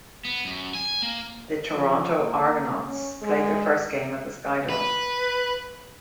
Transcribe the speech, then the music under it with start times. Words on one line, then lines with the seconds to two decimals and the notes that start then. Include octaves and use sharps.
The Toronto Argonauts played their first game at the SkyDome.
0.25 B3
0.45 F#2
0.75 G#5
1.02 A#3
1.74 F3
2.18 A#3
2.88 C#4
3.22 G#3
4.70 B4